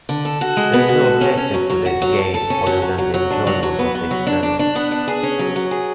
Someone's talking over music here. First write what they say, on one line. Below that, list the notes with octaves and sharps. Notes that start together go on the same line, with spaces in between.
There is no objective to this game other than the enjoyment of the experience.
D3
A4
F#4
G#3
B3
F#4
A4
C#4
C#4
F#3
F#3
F#4
F#3
A4
A4
C#4
F#3
F#3
F#3
F#3
D4
F#3
F#3
B3
B3
F#3
D4
D4
D4
B3
D4
G#4
C#4
F#3
F#3
G#4